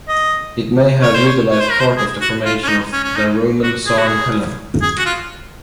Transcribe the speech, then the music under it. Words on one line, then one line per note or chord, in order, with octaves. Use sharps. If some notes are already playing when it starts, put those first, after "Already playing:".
It may have utilised part of the formation of the Roman Sarn Helen.
D#5
C#5
C5
C#5
C#5
C5
A#4
C5
G#4
F#4
F4
C#4
D#4
C#4
C#4
D#4
F#4
G#4
F#4
G#4
G#4
F#4
F4